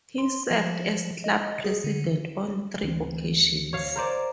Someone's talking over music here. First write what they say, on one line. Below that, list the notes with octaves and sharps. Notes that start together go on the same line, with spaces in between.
He served as club president on three occasions.
C6
F3
D#5
G#4
D3
D2 E3 C4
C#5 F5
A#4 C5 D5